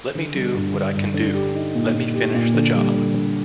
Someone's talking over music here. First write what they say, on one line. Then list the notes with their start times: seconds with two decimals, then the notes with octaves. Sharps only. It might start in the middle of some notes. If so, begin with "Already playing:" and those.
Let me do what I can do... Let me finish the job.
0.15 D3
0.34 G3
0.54 G2
0.74 D3
0.94 G2
1.14 D3
1.34 G4
1.55 D#4
1.75 A#2
1.94 A#2
2.14 G4
2.34 A#2
2.55 D3
2.75 G3
2.94 D3
3.14 D3